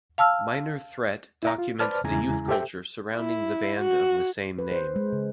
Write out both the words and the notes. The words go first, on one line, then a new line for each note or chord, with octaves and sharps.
"Minor Threat" documents the youth culture surrounding the band of the same name.
F5 A5 E6 F6
E4 E5 A#5
F4
B4 C5 D5 A5 F6
E2 C#3 G#3 E4 G#5 A#5
G4 A4 C5 E5 G5
E4
F#4
B4
C5
G#3
C#3